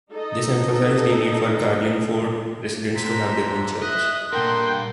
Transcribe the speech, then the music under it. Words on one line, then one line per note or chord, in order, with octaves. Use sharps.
This emphasised the need for Carlingford residents to have their own church.
D#4 A4 D#5
D3 C4 A#5 B6
D#5 E5 F#6
G2 A#2 A4 A#4 F#5 G5 C6